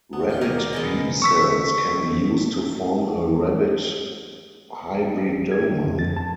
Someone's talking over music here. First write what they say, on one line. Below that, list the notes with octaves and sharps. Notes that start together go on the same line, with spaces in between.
Rabbit B-cells can be used to form a rabbit hybridoma.
B3
D4 F4 G4
D#2 B2 F#3 A#4 A#5
D4
E2 G#3 D5 D#5
C#6 E6 B6
G#6
D3
F2
A6
A5